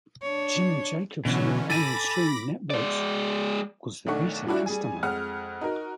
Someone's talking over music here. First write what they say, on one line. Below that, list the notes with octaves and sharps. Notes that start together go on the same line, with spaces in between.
Jim Jacobson of OnStream Networks was the Beta Customer.
D4 C#5
B2 D3 E3 F#3 C#4
A4 G#5 B5 D6 A#6
G#3 D5
B1 D#3 A3 D4 F#5 C#6
F3 G3 D4 E4 F#4
G3 G#4 G#5
F2 G#3 F#5 F6
D#4 F#4 A#4